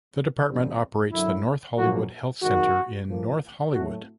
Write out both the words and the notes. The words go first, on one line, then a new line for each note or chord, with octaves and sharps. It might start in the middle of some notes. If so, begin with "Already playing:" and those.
The department operates the North Hollywood Health Center in North Hollywood.
A1 G2 D3 G3 C4
F#2 D3 F#3 E4
A#1 A#2 F#3 A#3 F#4
G#1 F#2 D#3 G#3 F#4
A2 F3 A#3
A2 F#3 A3 C4 F#4